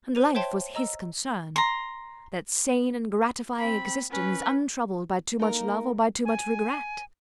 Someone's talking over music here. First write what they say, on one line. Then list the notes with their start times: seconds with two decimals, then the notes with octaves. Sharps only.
And life was his concern: that sane and gratifying existence untroubled by too much love or by too much regret.
0.15 C5 D#7 F7
0.35 C5 C#5 E5 G5 A5 C6
0.75 D#5 A#5 E6
1.56 A#5 C6
3.59 C4 B5
4.10 C#4 B4
5.39 A#3 D#4 A#4
6.25 G#5